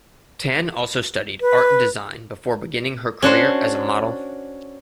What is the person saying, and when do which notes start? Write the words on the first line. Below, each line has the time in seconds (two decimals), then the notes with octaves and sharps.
Tan also studied art and design before beginning her career as a model.
1.41 B4
3.22 C#4 D4 F#4 C5